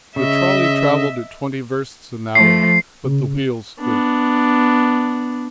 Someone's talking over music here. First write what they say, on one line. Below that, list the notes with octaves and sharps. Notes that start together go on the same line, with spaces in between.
The trolley travelled at twenty versts an hour, but the wheels squeaked.
C#3 D#5 E5
F3 A3 C7
C#3
B3 D4